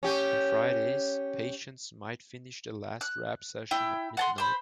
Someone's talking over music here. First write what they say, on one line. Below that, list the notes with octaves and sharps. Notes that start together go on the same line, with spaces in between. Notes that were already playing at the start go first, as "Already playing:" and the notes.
On Fridays, patients might finish their last rap session at midnight.
C#4 G4
F#6
E4 G5
F#5 A5 C6
C5 B5